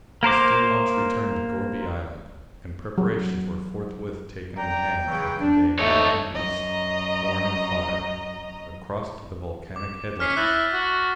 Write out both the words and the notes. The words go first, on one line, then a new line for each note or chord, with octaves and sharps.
The steam-launch returned to Gourbi Island, and preparations were forthwith taken in hand for conveying man and beast, corn and fodder, across to the volcanic headland.
A#3 A#4 C5 D6
F#3
D5 G5 A#5
C#3 E3 F#3
D4
D#2 G#2 A3 D#4 C#5
F#2 D#5 A#5
D6
C#4 F6 B6 C7
E4 F#6 A6 A#6
F#4